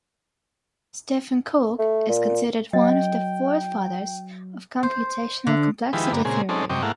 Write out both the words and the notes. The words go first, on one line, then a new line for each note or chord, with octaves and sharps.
Stephen Cook is considered one of the forefathers of computational complexity theory.
A3
A#2
F#3 D#5 G5
C5
D3
D#3 F3 G#3 E4 G4 B4
G2 D3 A#3 B3
A#2 C#3 G#3 C4 G#4
G#3 C4 C#4 D#4 A4 D5
F#2 C3 D#5 G5 C#6 D6
G#2 A3 A#3 E4 F5 F#5